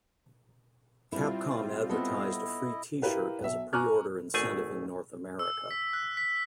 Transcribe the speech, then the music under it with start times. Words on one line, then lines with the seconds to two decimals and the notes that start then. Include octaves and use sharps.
Capcom advertised a free T-shirt as a pre-order incentive in North America.
1.12 G3 C4 E4 F4
1.89 B3 E4 A4 D#5
3.02 E4 G4 A#4 B4 F5
3.40 B1 E5
3.73 G#5 A#5 C#6 D6 F6 F#6
4.34 G#1 D2 A3 G#4 G5 G#5
5.39 E6
5.71 B6
5.93 F#6
6.17 B6